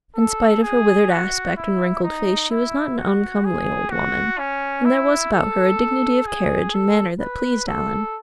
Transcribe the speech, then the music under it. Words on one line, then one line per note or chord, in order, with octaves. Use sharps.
In spite of her withered aspect and wrinkled face, she was not an uncomely old woman and there was about her a dignity of carriage and manner that pleased Alan.
A4
G#4
F#4
E4
D#4
E4
F#4
G#4
F#4
C#4
E4
A4
G#4
A4
B4
A4